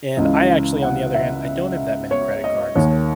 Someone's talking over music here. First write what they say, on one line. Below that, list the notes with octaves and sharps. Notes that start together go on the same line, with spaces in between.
And I actually, on the other hand, I don't have that many credit cards.
C#2 C#3 E3 D#5
F#5
E5
C#5
D#5
D#2 D#3 C#5